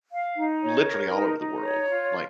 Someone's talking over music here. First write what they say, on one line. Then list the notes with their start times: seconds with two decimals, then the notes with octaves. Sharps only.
literally all over the world, like
0.11 F5
0.36 D#4
0.61 C#5
0.86 A#4
1.13 D#4
1.38 D#4
1.63 C#5
1.89 F4